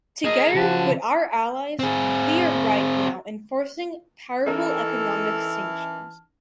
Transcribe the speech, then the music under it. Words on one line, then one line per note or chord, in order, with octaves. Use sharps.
Together with our allies – we are right now enforcing powerful economic sanctions.
G#4 A#4 D#5
C#3 F3 F#4 A5
C4 G#4
E3 C#4 D#4 E4 A4 A#4 A5 F6